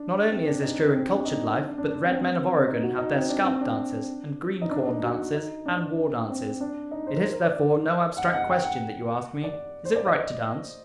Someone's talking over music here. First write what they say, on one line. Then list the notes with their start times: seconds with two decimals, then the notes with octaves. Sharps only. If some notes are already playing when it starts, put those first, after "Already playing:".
Not only is this true in cultured life, but the red men of Oregon have their scalp dances, and green-corn dances, and war dances. It is, therefore, no abstract question that you ask me--Is it right to dance?
Already playing: D4
0.31 C4
0.47 D4
0.62 D#4
0.94 C4
1.09 D4
1.25 D#4
1.67 D4
1.78 D4
1.88 D4
2.04 C4
2.12 D4
2.21 C4
2.67 D#4
2.83 F#4
2.98 D#4
3.14 C4
3.29 D4
3.45 C4
3.61 D4
4.62 D#4
4.71 D4
4.81 D4
4.87 D#4
5.03 F#4
5.35 D#4
5.66 D4
6.29 C4
6.60 D4
6.91 D#4
7.07 C5
7.16 A#4
7.23 C5
7.33 A#4
7.43 D5
8.17 F#5
8.25 D#5
8.33 F#5
8.49 G5
8.64 F#5
9.43 D5
9.85 C5
9.96 D5
10.06 D#5